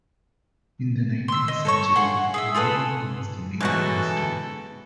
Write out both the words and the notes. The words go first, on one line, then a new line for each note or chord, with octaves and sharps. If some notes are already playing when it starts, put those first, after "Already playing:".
In the nineteenth-century logging was the main industry.
C6 E6
D#5
A4 C#5 C#6
F5 F#5 G#5 C6
G#4 D#5 E5
F4 G#4 A4 B4
G#2 B2 E3 G#3 C#4 F#4 A4